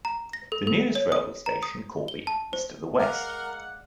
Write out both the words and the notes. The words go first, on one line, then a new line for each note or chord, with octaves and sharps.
The nearest railway station, Corby, is to the west.
A#5
A#6
A4
A4
C#5
D#6
A#5
D#6
G7
A5
C5
G#3 A#4 D5 F5 F#5 F6